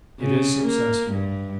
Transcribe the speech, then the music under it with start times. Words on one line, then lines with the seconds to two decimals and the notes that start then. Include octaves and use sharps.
It is successful.
0.20 C#3
0.64 A#3
1.11 G2